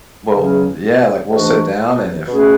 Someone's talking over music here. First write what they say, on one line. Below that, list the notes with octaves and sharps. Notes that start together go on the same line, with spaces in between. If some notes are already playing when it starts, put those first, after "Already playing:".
Well, yeah, like we'll sit down and if,
E2 C#3 F#3 C#4
G#2 E3 A3 D4 F#4
B2 A3 C#4 G#4 B4